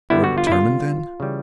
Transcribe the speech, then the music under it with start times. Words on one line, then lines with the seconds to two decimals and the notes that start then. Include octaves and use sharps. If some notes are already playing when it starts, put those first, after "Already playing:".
"You are determined then?"
0.10 D3 G3 B3 E4
0.24 F#4
0.38 F4
0.47 E4
0.52 F4
1.20 C#3 E3 G3